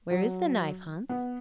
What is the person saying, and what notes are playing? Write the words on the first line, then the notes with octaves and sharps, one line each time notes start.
'Where is the knife, Hans?'
F#3
B3